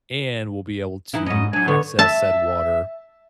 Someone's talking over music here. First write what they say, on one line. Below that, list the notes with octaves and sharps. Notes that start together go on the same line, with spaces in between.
and we'll be able to access that water
E3 D#4 E4
G#2 C#4 D#5
F#3 D4 G#5
D3 B3 C#5
E5 A5